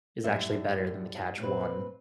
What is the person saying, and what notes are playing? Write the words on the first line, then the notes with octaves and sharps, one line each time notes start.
is actually better than the Catch One
F#2 A2 G3 E5
A#2 C4 B4